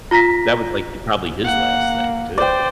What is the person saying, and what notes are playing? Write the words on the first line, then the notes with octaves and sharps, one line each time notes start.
That was like e probably his last thing, too.
F4 A#5 A#6 B6
A#3 F#5
C5 D5 G5